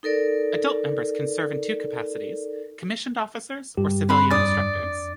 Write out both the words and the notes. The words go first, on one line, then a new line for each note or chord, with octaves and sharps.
Adult members can serve in two capacities: commissioned officers or civilian instructors.
D#4 A4 A#4 D5
G2 G4
C4 B4 B5 C6
F2 D4 D5 D#6 A6